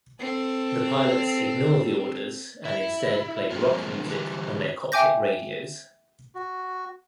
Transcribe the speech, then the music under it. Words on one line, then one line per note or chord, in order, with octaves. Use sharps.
The pilots ignore the orders, and instead play rock music on their cockpit radios.
C4 A4
E4
G2 F3 F#3 G#3 A#3 C4
D3 E3 G3
E5 G5 G#5 D6 G6 A#6
F#4